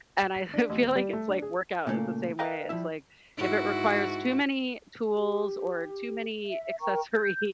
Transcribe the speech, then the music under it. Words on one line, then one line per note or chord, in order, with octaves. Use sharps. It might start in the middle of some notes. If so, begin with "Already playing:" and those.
And I I feel like, it's, like workout is the same way, it's, like if it requires too many tools, or too many accessories
E7
B6
D4
A1
D#1
G3
A3
D4
G#4
A#2 C#3 E3 A3 A#3
A#4 B4 D#5 F5 G5 A#5
F3 G3 E4 E5
G#2 E4 F#4
G4
E5
A#4 G5 A#5 C#6
G6